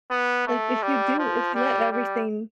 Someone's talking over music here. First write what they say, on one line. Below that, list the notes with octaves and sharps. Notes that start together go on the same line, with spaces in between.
like if you do if you let everything
B3
A3
G3
F3
G3
G3